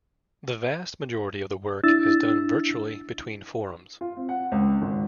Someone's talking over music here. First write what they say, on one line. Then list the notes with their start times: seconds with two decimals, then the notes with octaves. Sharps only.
The vast majority of the work is done virtually between Forums.
1.84 D4 E4 E6 A6
4.01 F4
4.17 C4
4.29 F#5
4.52 C#2
4.82 G#1